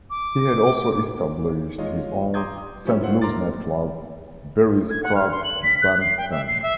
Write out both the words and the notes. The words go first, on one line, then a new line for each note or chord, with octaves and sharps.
He had also established his own Saint Louis nightclub, Berry's Club Bandstand.
D6
G#3 D#4 F4 C#5 D#5
A#5 C6 D6 D#6 G6 G#6
D#6
F3 G3 C#4 E4 E5
E4 F4 C5 F#5
D#2 A#4 A#5 C6 D6 A6
G#6
F#5
F6
C6
F#7
B6
F#6
C7
G5
E5
C7
E5